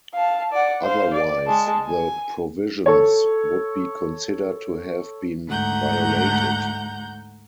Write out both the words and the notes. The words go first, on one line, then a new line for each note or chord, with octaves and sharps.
Otherwise the provisions would be consider to have been violated.
F5 A5
D5 F#5
C5 F5
D5
G#3 A5
G#5
A4 C#5
D2 G#2 F#5 A#5 G6